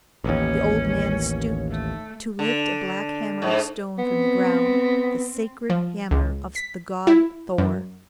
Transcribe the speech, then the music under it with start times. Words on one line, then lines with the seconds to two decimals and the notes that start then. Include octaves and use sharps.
The old man stooped to lift a black hammer of stone from the ground,--the sacred hammer of the god Thor.
0.24 A1 D#2 C#4
1.71 A3
2.39 D3
3.42 G#2
3.98 B3 C4
5.70 F3
6.11 C#2
6.55 B6
7.07 E4
7.58 F#2